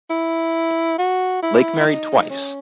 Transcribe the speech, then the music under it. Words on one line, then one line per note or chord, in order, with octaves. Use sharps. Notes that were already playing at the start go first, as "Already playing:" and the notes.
Lake married twice.
E4
F#4
E4
E4
D#4
C#4